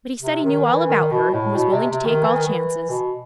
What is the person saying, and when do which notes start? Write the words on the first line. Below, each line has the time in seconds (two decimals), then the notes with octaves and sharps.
But he said he knew all about her, and was willing to take all chances.
0.22 C3
0.44 D#3
0.67 E3
0.89 D#3
1.11 B2
1.34 A2
1.56 B2
1.72 C3
1.90 C3
2.06 D#3
2.23 E3
2.35 D#3
2.47 E3
2.90 B2